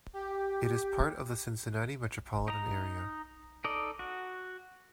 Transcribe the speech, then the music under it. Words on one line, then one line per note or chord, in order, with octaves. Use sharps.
It is part of the Cincinnati metropolitan area.
G4
D#4 A#5
D#4 A4 D5 D#5
F#4